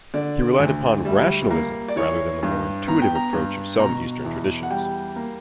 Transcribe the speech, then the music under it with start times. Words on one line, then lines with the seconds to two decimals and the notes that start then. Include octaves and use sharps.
He relied upon rationalism rather than the more intuitive approach of some Eastern traditions.
0.14 D3 D5
0.60 D2
1.05 G3 E5
1.51 A#3
1.88 D5
1.96 E3 C#5
2.43 G2
2.87 B3 A#5
3.02 G5
3.15 A#5
3.33 G2
3.79 B2 A#5
4.25 E2
4.63 F#5
4.70 G3 G5
5.16 A#3